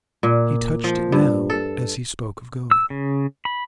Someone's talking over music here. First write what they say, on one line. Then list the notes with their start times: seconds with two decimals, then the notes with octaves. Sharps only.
He touched it now as he spoke of going.
0.23 A#2
0.84 F3
1.12 G2
1.50 A4
2.71 E6
2.90 C#3
3.45 B5